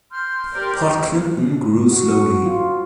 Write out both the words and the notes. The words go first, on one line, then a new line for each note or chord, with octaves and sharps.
Port Clinton grew slowly.
C6 F6 G6
G4 A#4 D5
F#4
F4